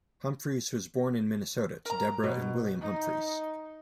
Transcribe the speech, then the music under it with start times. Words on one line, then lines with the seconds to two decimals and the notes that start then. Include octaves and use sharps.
Humphries was born in Minnesota to Debra and William Humphries.
1.86 A#4 A#5
2.24 B2
2.81 D#4